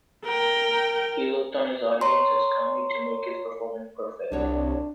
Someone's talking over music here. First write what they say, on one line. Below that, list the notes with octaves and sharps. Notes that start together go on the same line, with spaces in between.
He looked on his audience as kami to make his performance perfect.
A#4 G5
C#5 A#5 C6
C2 D4 F#4 C#5 D5